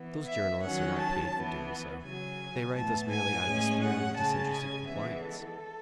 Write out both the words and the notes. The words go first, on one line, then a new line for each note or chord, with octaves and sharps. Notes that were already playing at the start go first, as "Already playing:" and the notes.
Those journalists are not paid for doing so: they write thus merely out of a spirit of disinterested complaisance.
Already playing: E3 B3
E5
D#3 F#3 C#4 F#5
A5
E3 B3
C#3 F#3 C#4 G#5
A2 E3 B3 A5
G#5
A2 G#3 C#4
F#5
C#3 G#3 C#4 A5
G#5
E3 G#3 B3 E5
A4